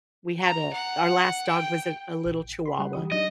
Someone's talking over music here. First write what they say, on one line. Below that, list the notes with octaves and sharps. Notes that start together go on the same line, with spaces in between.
We had a Our last dog was a a little Chihuahua,
A#5
F#5
G5
A#1
B5 C6
G3 F#5
E3 G4 D#6
F#3 D4 D#4 D#5